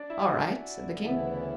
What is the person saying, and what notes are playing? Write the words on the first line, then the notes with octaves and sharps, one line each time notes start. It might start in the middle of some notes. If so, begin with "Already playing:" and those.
"All right," said the King.
Already playing: D4 D5
E4 E5
G#5
F#4 F#5
D2 C#3 E3 B3 E4